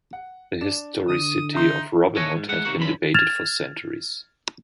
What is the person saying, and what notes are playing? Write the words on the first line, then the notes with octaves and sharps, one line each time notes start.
The historicity of Robin Hood has been debated for centuries.
F#5
D4 E7
D3 D#6
D#4 E5 A#5 C6
E4 A4 C#5 D#5 F#5 G#5
G#2
G#3 A3 F#5
D#2 G#2 C3 A#3 F#4 F#5
F#2 D3 E3 B5
F6 G#6 A6 E7 F7